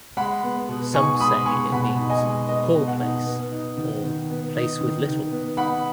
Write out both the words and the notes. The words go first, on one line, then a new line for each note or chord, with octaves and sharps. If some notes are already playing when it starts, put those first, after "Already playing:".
Some say it means "poor place" or "place with little".
G#3 F#5 B5
B3
B2
D#4 G#5 C#6
G#3 B5 D#6
B3 G#5 C#6
B2 F#5 B5
D#4
D#5 G#5
G#3
B3 D#5
B2
F#5
D#4
B3
D#4
D#3
D#3
B3
D#4
D#3
D#3
B3
D#4 F#5 B5